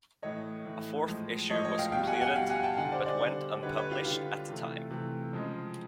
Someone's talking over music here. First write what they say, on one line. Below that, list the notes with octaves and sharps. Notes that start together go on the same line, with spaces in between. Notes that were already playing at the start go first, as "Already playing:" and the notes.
A fourth issue was completed but went unpublished at the time.
A2 E3 A3 C#5 D#5
A2 E3 A3
A2 F3 G#3
A2 F3 G#3 C#5 D#5
C#5 D#5
F5 G5
B2 G3 F5 G5
F#5 G#5
F#5 G#5
B2 G3 F5 G5
F#5 G#5
G5 A5
D3 G3 F#5 G#5
C5 D5
C5 D5
D3 G3
D3 G3 B4 C#5
B4 C#5
F4 G4
D3 G3 F4
C3 E3 A3
C3 E3 A3
C#3 F3 G#3